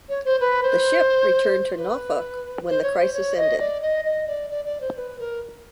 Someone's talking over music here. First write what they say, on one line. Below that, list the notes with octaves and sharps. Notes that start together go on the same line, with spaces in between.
The ship returned to Norfolk when the crisis ended.
C#5
C5
B4
C5
B4
C5
C#5
C5
C#5
D#5
D5
D#5
D#5
D5
D5
D5
C5
B4
A#4